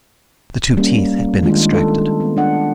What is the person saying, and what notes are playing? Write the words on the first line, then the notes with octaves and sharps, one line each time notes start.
The two teeth had been extracted.
G3 A#3 C#4
D#3 G#3 D4 F4
A4
B3
D4 F#5